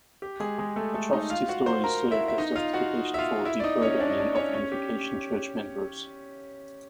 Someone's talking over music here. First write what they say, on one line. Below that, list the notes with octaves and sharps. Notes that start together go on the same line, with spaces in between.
Atrocity stories served as justification for deprogramming of Unification Church members.
G4
G#3 G#4
G#3 G#4
A3 A4
A3 A4
D#4 D#5
F4 F5
F#4 F#5
C5 C6
A#4 A#5
E4 E5
E5
D#4 D#5
F4 F5
F#4 F#5
E5
F4 F5
E4 E5
D5
D#4 D#5
C#4 C#5
D4 D5
D#5
D4 D5
C#4 C#5
C#4 C#5
G4